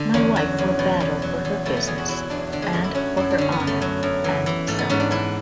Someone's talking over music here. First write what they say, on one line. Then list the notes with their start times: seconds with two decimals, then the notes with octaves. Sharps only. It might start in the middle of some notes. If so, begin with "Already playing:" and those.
My wife will battle for her business and for her honour and self-worth.
Already playing: D3
0.14 E2 C#4
0.36 F#3
0.58 E2
0.79 B2
1.00 E2
1.22 F#3
1.45 E2
1.66 B2 A3
1.77 B3
1.87 E2 G#4
1.98 F#4
2.09 F#3 E4
2.30 E2 D4
2.52 D3 D4
2.62 G#3
2.73 F#2 A3
2.84 E4
2.95 F#3 C#4
3.17 F#2 E4
3.30 D4
3.38 D3 C#4
3.52 B3
3.60 F#2
3.67 A3
3.82 F#3
4.03 F#2
4.24 E3
4.46 E3
4.67 G#2 A3
4.78 B3
4.89 G#2 C#4
5.00 D4
5.11 E3 E4